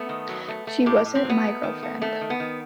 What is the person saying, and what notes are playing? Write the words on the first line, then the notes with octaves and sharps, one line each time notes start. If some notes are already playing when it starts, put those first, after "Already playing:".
She wasn't my girlfriend.
Already playing: A3 B3
D#3
F#3
A3
A3
A2 G4
A2
C4
F#3 B3
A3
D#3
A3
D#3 A3
D#3
B3
D#3